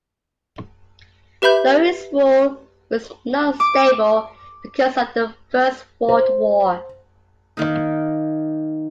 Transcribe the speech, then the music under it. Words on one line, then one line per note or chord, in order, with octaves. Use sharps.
Though his rule was not stable because of the First World War.
G4 B4 E5 B5 G6
D6
C5
D#3 A#3 D#4